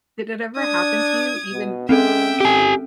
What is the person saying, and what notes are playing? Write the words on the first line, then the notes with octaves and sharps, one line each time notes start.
did it ever happen to you, even
D4 D#6 G#6
B2
G#3 C4 C#4 A4 E5 G5
G#1 G4 G#5